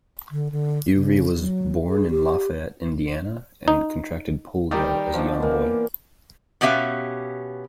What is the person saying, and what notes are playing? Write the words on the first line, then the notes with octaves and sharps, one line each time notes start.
Ewry was born in Lafayette, Indiana, and contracted polio as a young boy.
D3
D3
C#3
F#3
G#4
G4
D#4
D#3 G3 D5 G5 A#5
B2 F3 D4
E3 A#3 A#4
B2 B3 C#4 G4 E5 F5